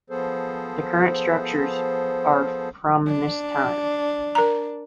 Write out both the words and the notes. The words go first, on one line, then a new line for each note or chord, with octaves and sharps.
The current structures are from this time.
F3 B3 G#4 A4 C5
D4
A#4 A#5